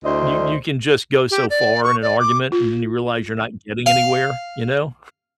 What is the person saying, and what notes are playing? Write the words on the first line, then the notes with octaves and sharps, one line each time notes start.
you you can just go so far in an argument, and then you realize you're not getting anywhere, you know?
D2 D4 E4 C5 D5 D#5
G4
D5
C#6
D5
D6
F4
F5